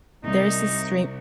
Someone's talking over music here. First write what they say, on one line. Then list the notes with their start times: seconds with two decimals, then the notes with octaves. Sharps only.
there's this stream
0.24 C2 D#4